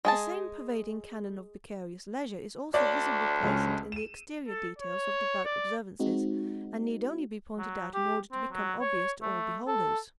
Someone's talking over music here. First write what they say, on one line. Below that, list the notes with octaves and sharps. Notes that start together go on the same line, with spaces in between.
The same pervading canon of vicarious leisure is also visibly present in the exterior details of devout observances and need only be pointed out in order to become obvious to all beholders.
G#3 G#4 A5
D2 C#5 D5
C#2 G#3 C#4
D#7 E7
A4
C#5
D5
G#3 C4 D#4 F#4
F#3
G4
C4
F#3
C#5
A3
A4